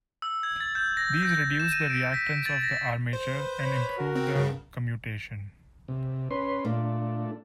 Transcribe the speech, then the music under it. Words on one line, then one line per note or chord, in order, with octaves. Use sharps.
These reduce the reactance of the armature, and improve the commutation.
E6
G#6
A6
G6
A#6
G6
E7
D#7
D7
B6
A6
A#6
C5
B4
B4 C#5 B5
F#4 A#4
C4
G2 C#3
C3
C#4 B4 C6
A#2 A3 D4